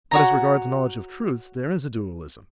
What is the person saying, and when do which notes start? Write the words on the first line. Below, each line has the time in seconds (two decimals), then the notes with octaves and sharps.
But as regards knowledge of truths, there is a dualism.
0.11 F#4 C#5 A#5